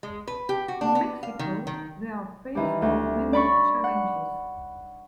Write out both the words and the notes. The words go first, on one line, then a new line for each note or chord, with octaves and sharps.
In Mexico, they are faced with many challenges.
G#3
B4
G4
F#4
D4
B3
F5
D#3
D#3
D#3 E3 G3
D2
D5 B5 C#6
F#5